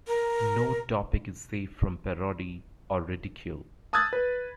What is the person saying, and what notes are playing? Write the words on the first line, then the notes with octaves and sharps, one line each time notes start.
No topic is safe from parody or ridicule.
A#4
A5 D#6 E6 F#6 G#6 A6
B4